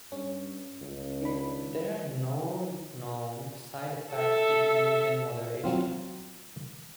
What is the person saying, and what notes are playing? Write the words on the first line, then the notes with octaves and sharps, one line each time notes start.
There are no known side-effects if used in moderation.
G2 C#4
C#2
D#3 D4 B5
A4 E5
F#3 C4 F4